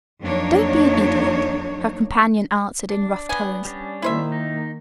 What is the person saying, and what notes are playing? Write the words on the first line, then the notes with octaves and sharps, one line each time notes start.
"Don't be an idiot," her companion answered in rough tones.
F2 F#3 A#3 D4 D#4 C#5
D4
B3 G#5
G3 C#4 D4
D#3 A#3 E4 C5 E5
D#4